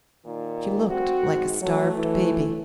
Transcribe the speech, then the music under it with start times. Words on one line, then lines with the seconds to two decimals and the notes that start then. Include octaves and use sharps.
She looked like a starved baby.
0.25 A#2 D#3
0.88 C4 F#4
1.26 G#2
1.62 F#3 A3
1.96 E3